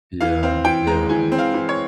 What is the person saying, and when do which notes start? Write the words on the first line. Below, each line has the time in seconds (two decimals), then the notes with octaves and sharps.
Yeah, yeah, and
0.21 E3 F5
0.43 C4 F5
0.65 E3 G5
0.87 G#3 A#5
1.09 E3 G#5
1.32 C4
1.39 F5
1.54 E3
1.69 C#5